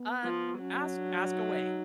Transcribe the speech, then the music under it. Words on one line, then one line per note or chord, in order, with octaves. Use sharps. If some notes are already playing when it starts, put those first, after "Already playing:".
uh, ask ask away.
Already playing: B3
F3
F#3 C#4
D4
D#4